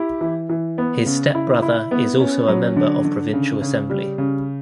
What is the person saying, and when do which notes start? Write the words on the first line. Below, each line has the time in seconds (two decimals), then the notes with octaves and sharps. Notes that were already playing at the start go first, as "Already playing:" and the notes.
His step brother is also a member of provincial assembly.
Already playing: E4 G4
0.21 E3
0.49 E3
0.78 B3
1.06 C#3
1.35 E4
1.62 E4
1.91 B3
2.20 C#4
2.48 F#3
2.76 D3
3.05 D3
3.33 C#3
3.62 C#3
3.90 G3
4.18 C#3